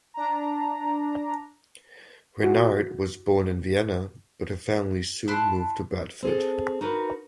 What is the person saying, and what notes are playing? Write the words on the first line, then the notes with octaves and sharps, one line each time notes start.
Reynard was born in Vienna but her family soon moved to Bradford.
D4 A#5
E4 F#4
E4 A5 C6 F#6
C4 G#4 A4
D#4 F#4 A#4 B4